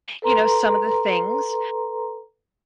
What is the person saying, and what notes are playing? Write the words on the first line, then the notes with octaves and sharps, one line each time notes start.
you know, some of the things
A4 B4 A#5 C6